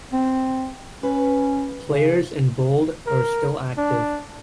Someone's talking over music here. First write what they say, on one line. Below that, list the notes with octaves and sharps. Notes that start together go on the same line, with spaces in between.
Players in bold are still active.
C4
C#4 B4
C#3
A#4
D4